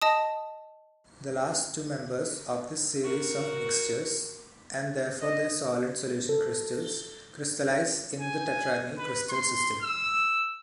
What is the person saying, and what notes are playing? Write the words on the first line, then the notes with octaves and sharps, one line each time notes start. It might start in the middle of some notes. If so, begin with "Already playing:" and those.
The last two members of this series of mixtures, and therefore their solid solution crystals, crystallize in the tetragonal crystal system.
D#5 A5 D#6
F#4 A#4
D#5
A4
G#5
B4
C6
E6